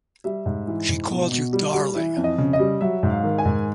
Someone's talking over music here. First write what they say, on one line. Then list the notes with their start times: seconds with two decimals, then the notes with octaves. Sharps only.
She called you 'darling'.
0.24 G3 E5
0.46 G#2
0.68 E3
0.89 G#2
1.11 B2
1.32 B2
1.53 G3
1.74 G3
1.95 E3 E5
2.17 F2
2.24 D#5
2.38 C#3
2.53 D#5
2.60 G3
2.81 F#3 E5
3.03 G#2
3.10 F5
3.24 D#3
3.38 G#5
3.45 G#2